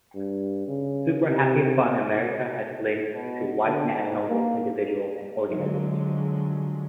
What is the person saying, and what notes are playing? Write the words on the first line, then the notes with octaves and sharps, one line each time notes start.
Super Happy Fun America has links to white nationalist individuals and organizations.
G2
C#3
C3
B2
D3
G#2
A#3
D3 F3 F#3 G#3